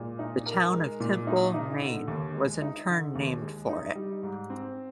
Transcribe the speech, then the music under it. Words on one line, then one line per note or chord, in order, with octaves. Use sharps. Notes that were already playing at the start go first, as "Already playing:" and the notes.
The town of Temple, Maine was in turn named for it.
Already playing: A#2 G#3
D#4
A#4
G#3
A#2
D#4
D#4
D3
D#2
G#3
D#4
D3
D#2
G#3
D#4
G3
G#2
C4